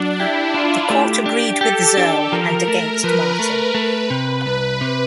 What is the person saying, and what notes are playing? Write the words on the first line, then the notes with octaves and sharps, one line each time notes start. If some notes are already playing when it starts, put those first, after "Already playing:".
The court agreed with Ziherl and against Martin.
Already playing: F#3 D4
E4 G4
D4 F4
A3 G4
D4
G4 A4
D4
F3 A#4
A3
F3 B4
A3
A3
C3
C2 B4
C3